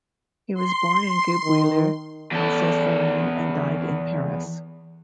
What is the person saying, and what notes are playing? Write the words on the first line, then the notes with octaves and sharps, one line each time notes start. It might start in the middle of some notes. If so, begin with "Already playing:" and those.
He was born in Guebwiller, Alsace-Lorraine, and died in Paris.
C6
D#3
E2 A4